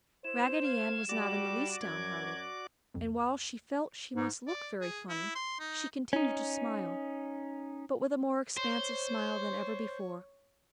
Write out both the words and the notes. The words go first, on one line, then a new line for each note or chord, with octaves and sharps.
Raggedy Ann was not in the least downhearted and while she felt she must look very funny she continued to smile, but with a more expansive smile than ever before.
E4 C5 E7
F5 G#6
G3 F#4 D5 D6
F#2 G#6
C2 F2
G#2
D5
G#4
E4
C6
D#4
C#4 D#4
C5 C#5